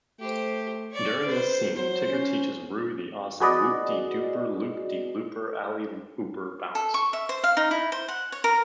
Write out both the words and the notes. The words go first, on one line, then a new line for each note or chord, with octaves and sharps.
During this scene, Tigger teaches Roo the awesome Whoop-de-Dooper-Loop-de-Looper-Alley-Ooper Bounce.
A3 G4 C5
C#5 D5
B4 C5
F#3 C5
C#4
F#4 G#4 B4 D5 D#5
A4
C#6
E5
C5
F5
D#4
E4
C5
F#5
C#5
A#4